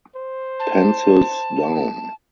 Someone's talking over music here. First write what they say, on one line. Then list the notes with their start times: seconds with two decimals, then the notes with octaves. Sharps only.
Pencils down.
0.16 C5
0.60 A5